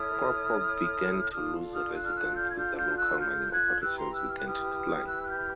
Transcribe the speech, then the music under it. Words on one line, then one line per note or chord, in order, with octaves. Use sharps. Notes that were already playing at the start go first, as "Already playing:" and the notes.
Quapaw began to lose residents as the local mining operations began to decline.
Already playing: E4 A4 C#5 D#6 F6
D4 F4 A4 D#6 F6
D#6 F6
E6 F#6
F6
E6 F#6
F6 G6
G#6
F6 G6
F6 G6
E6 F#6
F6 G6
F#6 G#6
E4 G4 B4 E6 F#6
A#5 C6
E6 F#6
F6
F#6
D#6 F6
E6 F#6
F#6
F6 G6